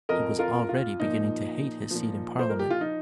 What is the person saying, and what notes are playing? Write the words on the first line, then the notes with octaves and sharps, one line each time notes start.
He was already beginning to hate his seat in Parliament.
F2 F3 A#4 D#5
F4 A#4
F4
A#2 F3 D#4
A#2 F3
C5
A#4
G4
F4
F3 D#4